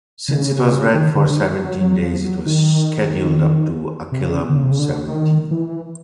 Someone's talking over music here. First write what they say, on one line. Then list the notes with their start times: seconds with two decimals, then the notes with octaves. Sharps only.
Since it was read for seventeen days it was scheduled up to Akilam seventeen.
0.29 C#3
0.62 C3
0.72 C#3
0.94 D#3
1.15 D3
1.30 D3
1.37 D#3
1.59 F#3
1.81 F#3
2.02 F3
2.24 F#3
2.46 D#3
4.12 C3
4.20 C#3
4.49 D3
4.57 C#3
4.64 C3
4.71 C#3
4.79 D3
5.07 D#3
5.51 E3